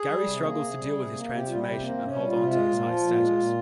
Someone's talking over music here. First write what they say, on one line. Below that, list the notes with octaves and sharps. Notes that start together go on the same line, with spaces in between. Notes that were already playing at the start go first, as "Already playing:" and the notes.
Gary struggles to deal with his transformation and hold on to his high status.
Already playing: G#4
G3
C3
A#3
C3
G3
C3
A#3
C3
G4
G3 F4
G4
C3
A#3 C4
C3
C#4
G3
F4
C3
G#3 F4
A#2
F3
A#2
G#3
A#2